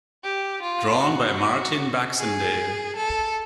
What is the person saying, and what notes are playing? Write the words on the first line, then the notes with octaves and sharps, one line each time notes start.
Drawn by Martin Baxendale.
G4
F4
F#4
G#4
A4